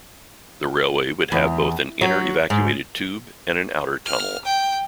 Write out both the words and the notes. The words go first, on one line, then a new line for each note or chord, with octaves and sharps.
The railway would have both an inner evacuated tube and an outer tunnel.
E2
F#3
G#2
F6
G5